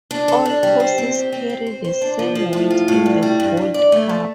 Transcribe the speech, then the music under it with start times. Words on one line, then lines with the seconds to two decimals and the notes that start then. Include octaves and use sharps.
All horses carry the same weight in the Gold Cup.
0.11 D4
0.28 A4
0.46 D4
0.63 G3
0.80 C5
0.98 C4
1.15 G4
1.32 C4
1.49 C4
1.67 C5
1.84 C5
2.02 D4
2.19 F3
2.35 F3
2.53 A2
2.70 F4
2.88 A2
3.06 G2
3.23 G3
3.40 G2
3.57 G2
3.74 D5
3.92 A3
4.09 A3